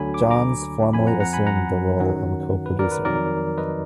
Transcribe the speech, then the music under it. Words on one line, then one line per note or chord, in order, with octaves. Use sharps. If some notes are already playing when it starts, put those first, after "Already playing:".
Johns formally assumed the role of a co-producer.
Already playing: D2 D3 F#3 G#5 B5
D6
A#5 D6
F2 F3 G#5 B5
F#5 A#5
F#5 A#5
G#5 B5
F#5 A#5
F#2 D#3 F#3
B4
A#4 D5
B4
F2 D#3 F#3 A#4 D5
B4 D#5